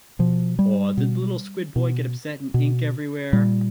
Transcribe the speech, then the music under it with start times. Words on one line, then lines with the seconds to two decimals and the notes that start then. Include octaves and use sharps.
Aw, did little squid boy get upset and ink everywhere?
0.19 B2 F3
0.59 G3
0.97 B2
1.76 B2
2.54 B2
3.33 A#2 G3